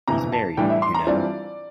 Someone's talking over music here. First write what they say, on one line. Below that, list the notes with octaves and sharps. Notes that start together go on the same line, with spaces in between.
He's married, you know.
G1 F2 C3 E3 A#5
A5
A2 E3 G3 D4 G5
E5
C6
A#5
G2 E3 G3 C4 F4 D5